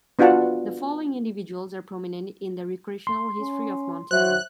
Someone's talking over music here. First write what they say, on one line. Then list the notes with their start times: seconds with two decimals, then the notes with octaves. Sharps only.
The following individuals are prominent in the recreational history of Montana.
0.19 B3 D4 F4 F#4 F#5 A5
3.07 C6
3.40 C#4
4.11 F#3 C5 E5 F#6